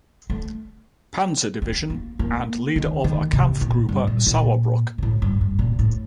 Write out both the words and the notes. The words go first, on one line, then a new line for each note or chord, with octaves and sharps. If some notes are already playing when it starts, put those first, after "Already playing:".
Panzer-Division and leader of a Kampfgruppe "Sauerbruch".
A3
C4
A#3
A#3
D#3
D#3
C3
A#2
G2
A#2
A#2
A#2
A2
G2
G2
A#2
A2